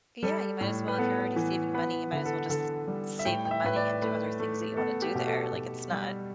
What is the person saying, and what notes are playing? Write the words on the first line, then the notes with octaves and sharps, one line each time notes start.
Yeah, you might as well if you're already saving your money, you might as well just save the money and do other things that you wanna do there, like, it's not
G3 A4
A2
B4
B3 A4
E3
B3 B4
D3 B4
A4
D3 A4
G3
E5
A2 G5
G5
E5
A2 B4
D5
A3 B4
A3
B3 A4
G4
B2
A4
B2
G3